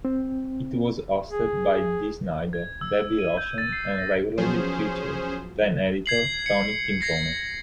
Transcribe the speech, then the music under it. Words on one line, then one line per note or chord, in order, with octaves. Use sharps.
It was hosted by Dee Snider, Debbie Rochon, and regularly featured then-editor Tony Timpone.
C4
G#4
G#6
E6
D#7
G6
A6
C7
A#6
F3 F#3 B3 C#4 G#4 C5
G#6 C7 F#7
C#7
G#6 A#6 C7